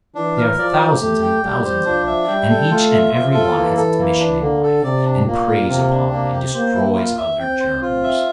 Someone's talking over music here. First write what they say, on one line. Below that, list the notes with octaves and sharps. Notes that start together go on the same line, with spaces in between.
There are thousands and thousands of them, and each and every one has its mission in life, and preys upon and destroys other germs.
E3 D4
A#4
F3 D5
G4
A3 G4
G5
G3 G4
C5
F3 D4
E5
G3 G5
A4
A3 F4
E5
F3 F4
A4
E3 A#3
A4
A#3
D4
D3 A#3
A4
C3 D5
D4
A#2 A#3
F4
C3 A#3
D4
C3 A#3
G4
A#3 C5
E4
F4
E5
C4 G5
C5
F4
E5